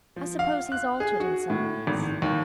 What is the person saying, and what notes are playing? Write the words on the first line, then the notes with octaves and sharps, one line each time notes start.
'I suppose he's altered in some ways?'
F3
F5
F#6
G#4
F#4
A2
G#1
D#2